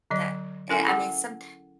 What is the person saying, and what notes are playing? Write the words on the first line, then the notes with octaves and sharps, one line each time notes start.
that eh, I mean, somet
D3 F#3 D#5
C#4 E4 A4 A#4 G#5
G#4 F#5